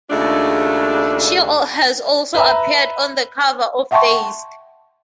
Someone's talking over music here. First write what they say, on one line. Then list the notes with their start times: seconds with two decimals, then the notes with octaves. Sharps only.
She has also appeared on the cover of "Dazed".
0.11 D#2 C#3 G#3 A3 D4 F4
2.35 B4 E5 A#5 B5
3.91 E5 F#5 G5 A5 C6 C#6